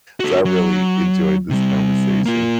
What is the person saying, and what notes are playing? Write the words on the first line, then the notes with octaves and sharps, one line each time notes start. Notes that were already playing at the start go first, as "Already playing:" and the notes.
so I really enjoyed this conversation.
F#4 A4
F#3
C3 G3
A#3 F4